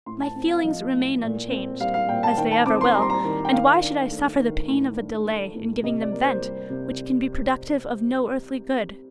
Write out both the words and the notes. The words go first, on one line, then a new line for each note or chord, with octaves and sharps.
My feelings remain unchanged, as they ever will; and why should I suffer the pain of a delay in giving them vent, which can be productive of no earthly good?
A2 C6
A5
C4
F5
F3 D#5
A2
A#2
C4
G3 F5
F5
A#2 G5
A5
D#3 G5
A5
C4 D6
C6
G3 A#5
C6
A#5
D#3
G5
D#3 F5
D4
A3
D#3
A2
D4
A3
A2
C3 D#5
D5
A#3
C5
G3
C3